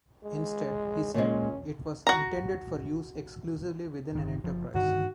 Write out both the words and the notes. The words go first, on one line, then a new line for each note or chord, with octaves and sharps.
Instead, he said, it was intended for use exclusively within an enterprise.
G#3
A#2 G#3 C#4
F#4 A#5
G1 D#3
F#1 F3
G2 D3 D#3 F#4